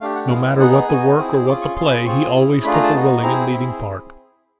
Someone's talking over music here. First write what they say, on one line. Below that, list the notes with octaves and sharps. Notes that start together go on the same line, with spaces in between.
No matter what the work or what the play, he always took a willing and leading part.
A3 D4 G4 F5
F#5
G#3 B3 E4 G#4 F5
B3 D#4 G#4 F#5
B3 D#4 F#4 G#5
C4 E4 G#4
C#4 F4 G#4 D6
C#6
C#4 F4 G#4 C6
B5
C4 F4 G#4 C#6
C#4 E4 G#4
A3 D4 F4 G#4 B5
A#5
A5
B3 D#4 F#4
C4 E4 G#4 A#5
C4 E4 G#4 B5